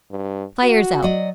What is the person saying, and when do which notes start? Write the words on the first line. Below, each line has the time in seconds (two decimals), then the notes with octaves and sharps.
Fire's out!
0.11 G2
0.63 F#4
1.02 F#3 D5 D#5